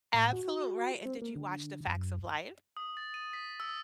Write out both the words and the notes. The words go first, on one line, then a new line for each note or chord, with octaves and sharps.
Absolute right, and did you watch The Facts of Life?
A2
F#4
C4
A#3
D3
F#2
D#6
A6
D#7
B6
E6